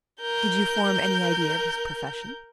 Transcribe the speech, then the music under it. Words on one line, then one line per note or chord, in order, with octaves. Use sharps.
"Did you form any idea of his profession?"
A#4 G6